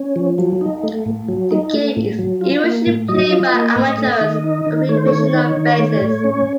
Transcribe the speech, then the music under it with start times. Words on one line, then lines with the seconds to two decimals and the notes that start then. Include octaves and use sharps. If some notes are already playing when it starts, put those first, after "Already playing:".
The game is usually played by amateurs on a recreational basis.
Already playing: C#4
0.16 F3
0.39 F#3
0.61 D#4
0.83 A3
1.06 A2
1.28 F#3
1.51 D#4
1.74 A3
1.96 A2
2.19 F#3
2.41 F4
2.64 A#3
2.86 A2
3.08 F#3 D#5
3.31 F4
3.54 A#3
3.76 A2
3.98 A3
4.21 D#3
4.44 D#4
4.66 D#3
4.89 A3 C#5
4.97 C5
5.06 D#3 C#5
5.34 D#4
5.57 D#3
5.79 A3
6.01 A2
6.24 C#4